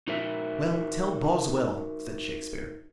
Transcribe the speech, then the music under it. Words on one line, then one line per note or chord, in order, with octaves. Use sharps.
"Well, tell Boswell," said Shakespeare.
D#4 F#4 A#4 E5